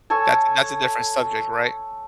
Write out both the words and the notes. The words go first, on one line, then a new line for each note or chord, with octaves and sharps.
That's that's a different subject, right?
A4 C#5 G#5 A5